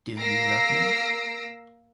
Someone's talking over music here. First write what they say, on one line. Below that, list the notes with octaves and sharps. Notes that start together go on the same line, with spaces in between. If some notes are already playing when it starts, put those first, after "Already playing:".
Do You Love Me?
A#3 A#4 E6 A#6 C7 D7